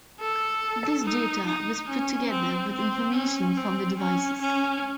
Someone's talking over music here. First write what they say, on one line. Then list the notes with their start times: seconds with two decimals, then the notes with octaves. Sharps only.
This data was put together with information from the devices.
0.20 A4
1.04 D#4
1.46 D#4
1.89 C#4
2.31 C4
2.73 C4
3.16 C#4
3.57 C4
3.99 C#4
4.42 C#4